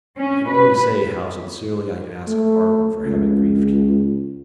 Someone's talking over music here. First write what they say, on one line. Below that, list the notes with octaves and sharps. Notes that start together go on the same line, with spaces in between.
I can only say how sincerely I ask pardon for having griefed you.
C#4
B4
A3
C#2